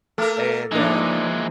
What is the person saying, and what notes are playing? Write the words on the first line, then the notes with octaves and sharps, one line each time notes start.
And, um,
A3 A4 A#4
E3 F3 G#3 A#3 D4 D#4